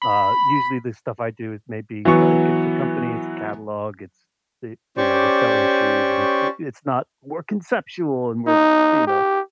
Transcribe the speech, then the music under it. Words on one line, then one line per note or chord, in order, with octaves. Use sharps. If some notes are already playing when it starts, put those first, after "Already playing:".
Uh, usually, the stuff I do is maybe, like, it's a company, it's a catalog, it's the you know, we're selling shoes, and i it's not "We're conceptual and we're" you know,
B5
E3 F#3 B3 C#6
C#4 G4 C5 D5 C#6
D#4
G4